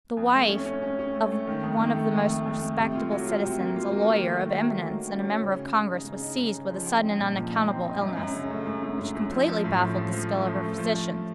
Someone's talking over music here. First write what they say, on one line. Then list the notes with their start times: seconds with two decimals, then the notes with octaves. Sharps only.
The wife of one of the most respectable citizens--a lawyer of eminence and a member of Congress--was seized with a sudden and unaccountable illness, which completely baffled the skill of her physicians.
0.17 F2
0.34 A3
0.49 C#4
0.65 C#4
0.82 C#4
0.99 C#4
1.15 A3
1.32 A3
1.47 D#3
1.63 F2
1.80 D#3
1.96 A3
2.13 F2
2.29 A3
2.45 F2
2.61 A3
2.78 C3
2.95 F4
3.11 F#3
3.26 F4
3.44 C3
3.60 A#3
3.76 F4
3.92 A#3
4.09 D#3
4.24 A3
4.41 D#3
4.58 F#3
4.74 F#3
4.91 D#3
5.07 C#4
5.22 C#4
5.40 C#3
5.55 C#3
5.71 C#3
5.88 D#4
6.05 C#3
6.21 D#4
6.37 C#3
6.54 C#3
6.70 F3
6.86 C4
7.03 D#4
7.19 A#2
7.36 F3
7.51 D#4
7.68 C4
7.84 D#4
8.01 F#2
8.17 F#2
8.33 C#3
8.50 A3
8.66 F#2
8.83 F#2
8.99 F#2
9.15 F#2
9.31 F3
9.48 F3
9.64 A2
9.81 F3
9.97 F3
10.13 F3
10.30 A3
10.46 F3
10.63 A3
10.78 F3